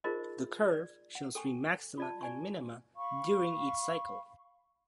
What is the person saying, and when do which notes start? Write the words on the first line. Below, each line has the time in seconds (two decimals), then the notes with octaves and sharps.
The curve shows three maxima and minima during each cycle.
0.04 D#4 F4 G#4 A#4 C5 D#5
0.72 D5
1.15 F#5
1.35 A4 G5 G#5 C#6
1.98 F4 D5 A5
2.21 D5 G#5 C#6
2.96 F5 B5 C#6